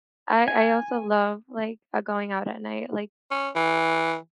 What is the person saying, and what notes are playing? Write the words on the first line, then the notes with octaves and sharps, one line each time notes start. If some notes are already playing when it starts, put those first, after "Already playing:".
I I also love, like, uh, going out at night, like,
G#5
C#4
E3